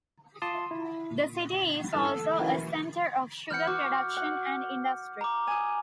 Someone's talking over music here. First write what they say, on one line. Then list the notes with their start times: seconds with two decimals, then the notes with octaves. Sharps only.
The city is also a centre of sugar production and industry.
0.42 F4 A5 C6 D6 D#6
0.71 E4
1.11 A#2
1.93 G2 E4 A4 A5 F6
2.05 A4
2.40 E3 C#4 D#4 E4 F#4 A#4
3.51 E3 F#5 F6 G6 C#7
3.67 F#4 D6
4.17 F#5
5.21 A#5 D6
5.47 G#5 D#6